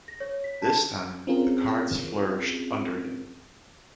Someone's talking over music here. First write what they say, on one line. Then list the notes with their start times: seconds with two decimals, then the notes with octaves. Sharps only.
This time, the Cards flourished under him.
0.08 A#6
0.20 C#5
0.32 C#5
0.44 B6
0.62 A5
1.27 C4 C#4 F4 G#4 A#4